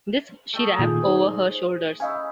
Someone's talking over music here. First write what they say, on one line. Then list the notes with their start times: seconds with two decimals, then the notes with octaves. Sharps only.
This she wrapped over her shoulders.
0.53 A3 G4 D#5
0.79 A#2 D#3 F4 G#4
1.04 D#4 C5
2.00 C#4 D#4 E4 D#5 F5 G#5